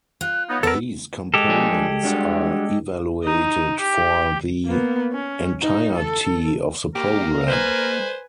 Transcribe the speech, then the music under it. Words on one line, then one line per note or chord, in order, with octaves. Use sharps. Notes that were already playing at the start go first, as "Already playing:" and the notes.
These components are evaluated for the entirety of the program.
F4 F#6
B3 D#4 C#5 F#5
B3 A4 A#4 D5 E6
G#3 G4 A4
F3 D4 G#4
G3 D4 F#4
D#4
G4
A#3 B3
C#4
D#4
A4
A#3 G4 A#4
B4 C5 G#5